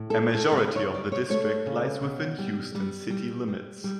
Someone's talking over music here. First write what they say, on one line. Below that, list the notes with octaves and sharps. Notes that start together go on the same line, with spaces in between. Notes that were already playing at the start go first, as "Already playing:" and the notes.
A majority of the district lies within Houston city limits.
Already playing: A2
A4
A3
A4
A4
C#3 B4
C#5
G3 D5
C#5
A3 C#5
C#3
B2
G3
G3
G3
G3
G3